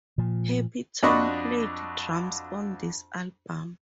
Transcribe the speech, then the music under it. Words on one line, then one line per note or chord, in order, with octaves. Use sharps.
Happy-Tom played drums on this album.
A#2 F3
F2 D4 F#4 D#5 B5 C#6